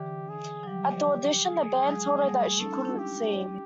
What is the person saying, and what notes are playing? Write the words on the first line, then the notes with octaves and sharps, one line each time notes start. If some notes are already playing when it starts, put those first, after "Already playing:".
At the audition the band told her that she couldn't sing.
Already playing: D3 E3 G4
G#4
F#3
F3 G3 G4
G#4
F#3 G#3
G3 A3
C#4 D#4 A4
C#4 D#4
D4 E4
G4